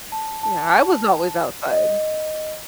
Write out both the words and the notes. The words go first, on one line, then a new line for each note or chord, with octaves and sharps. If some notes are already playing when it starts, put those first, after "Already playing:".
Yeah, I was always outside.
A5
A5
D#5